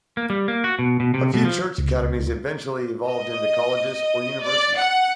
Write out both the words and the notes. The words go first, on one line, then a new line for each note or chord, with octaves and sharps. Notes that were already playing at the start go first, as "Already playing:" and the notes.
A few church academies eventually evolved into colleges or universities.
A#3
G3
A#3
F#4
B2
B2
C3
B2
F3
C#2
D#5
D5
F#5